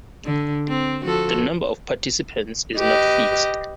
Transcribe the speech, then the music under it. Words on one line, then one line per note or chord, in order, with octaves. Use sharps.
The number of participants is not fixed.
D3
C4
F3 F#4 A4
G4 B4 D#5